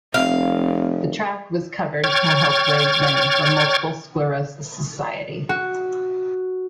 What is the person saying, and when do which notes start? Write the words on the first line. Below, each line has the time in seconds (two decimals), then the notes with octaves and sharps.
The track was covered to help raise money for Multiple Sclerosis Society.
0.14 F1 C4 F5
2.04 C#5 G5 C#6 F6 G#6 A6
5.49 F#4